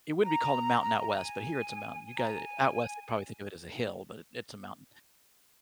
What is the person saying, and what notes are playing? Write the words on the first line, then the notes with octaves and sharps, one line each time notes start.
it wouldn't be called a mountain out west, but here it's a mountain, you got it out west, you probably think of it as a hill, but it's a mountain,
A#5
G#5
G#5
A#5
G#5